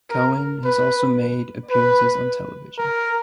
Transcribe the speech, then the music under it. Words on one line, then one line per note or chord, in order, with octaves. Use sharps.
Cohen has also made appearances on television.
A#4
B4
B4
A#4